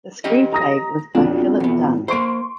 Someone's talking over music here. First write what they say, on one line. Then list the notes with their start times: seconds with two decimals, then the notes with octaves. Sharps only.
The screenplay was by Philip Dunne.
0.24 C#4 G4 D#5
0.53 A#5 D#6 A#6
1.15 B1 F2 D4
1.60 E2 B3
2.08 A#3 C5 C6 C#6 D7